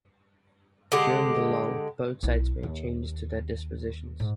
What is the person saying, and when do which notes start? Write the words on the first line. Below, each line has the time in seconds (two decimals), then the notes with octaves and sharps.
During the lull both sides made changes to their dispositions.
0.92 D3 G#3 G4
2.23 B1 E4
2.63 D#2
4.20 G#2